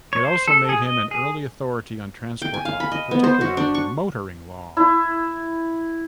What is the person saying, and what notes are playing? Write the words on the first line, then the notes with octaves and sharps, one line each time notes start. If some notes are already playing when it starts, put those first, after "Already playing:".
It also made him an early authority on transport law, particularly motoring law.
C#5
C5
A4
G#4
D#5
G#4
G5
G#5
F5
B5
D#5
B3
C5
F#4
D4
C#6
E4